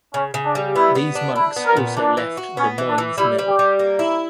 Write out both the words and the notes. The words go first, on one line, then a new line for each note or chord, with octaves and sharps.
These monks also left the "Moines Mill".
C#3 C#4
C#3
D4
G3
B3 E4
B3
D4
D4 E4
B3
A#4
A#2
E3 D4
E3
F#4
B3 C#4
E3
D4
E3
G3 E4
G3
G4
G3
A#3
E4